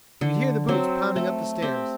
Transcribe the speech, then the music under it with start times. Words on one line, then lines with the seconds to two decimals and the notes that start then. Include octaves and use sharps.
He could hear the boots pounding up the stairs.
0.21 D3
0.68 F#3 C4
1.16 A3
1.62 C4 G4